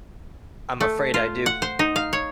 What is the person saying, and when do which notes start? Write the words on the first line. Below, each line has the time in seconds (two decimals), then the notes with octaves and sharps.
I'm afraid I do.
0.81 A3
1.14 F4
1.46 F#5
1.62 C5
1.79 D#4
1.96 F5
2.13 C#5